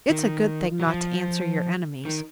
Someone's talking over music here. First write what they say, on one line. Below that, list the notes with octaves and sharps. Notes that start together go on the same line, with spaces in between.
It's a good thing not to answer your enemies.
D#3
F#3
F3
D#3